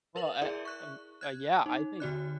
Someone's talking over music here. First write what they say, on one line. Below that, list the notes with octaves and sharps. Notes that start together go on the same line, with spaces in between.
Well, I I w I yeah, I think
A#4 B4 F7 F#7
E4 G#4 A#4 D5 E5
C#6 F#6
F#6 G#6
D#4
D3 F#4 D5 F#6